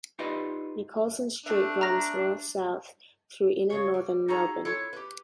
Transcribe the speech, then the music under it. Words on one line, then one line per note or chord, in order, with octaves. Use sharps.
Nicholson Street runs north-south through inner northern Melbourne.
D#4 F4 G4 B4 D5 D#5
A3 C4 D4 E5
A#5 F6 A#6
C#3 C#5
G3
D#4 F#4 G#4 A4 A#5
E4 F4 A4 C#5
G4 B4